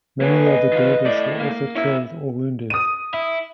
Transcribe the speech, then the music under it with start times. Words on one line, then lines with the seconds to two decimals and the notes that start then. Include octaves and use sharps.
Many of the Dervish were also killed or wounded.
0.21 F#3 A#3 G#4 B4
0.46 D#5
0.72 D#3 F4
1.05 A3 E4 D5
1.38 A#3
1.75 C#4 E4 E5
2.70 D#6 D#7
3.14 E4